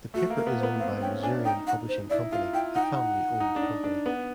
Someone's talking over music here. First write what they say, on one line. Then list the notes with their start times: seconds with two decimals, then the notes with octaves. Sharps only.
The paper is owned by Missourian Publishing Company, a family-owned company.
0.14 A3 F#4
0.30 A#3
0.37 A#4
0.47 B3
0.59 C5
0.63 B3
0.79 C4 F5
1.02 C#4 G5
1.23 D4 G#5
1.45 D#4 G5
1.67 F#5
1.89 C5
2.10 E4 D5
2.32 F4 F5
2.53 E4 G5
2.75 D#4 F#5
2.84 G5
2.92 F#5
3.40 D#4
3.56 D4
3.62 D#4
3.84 D4
4.06 B3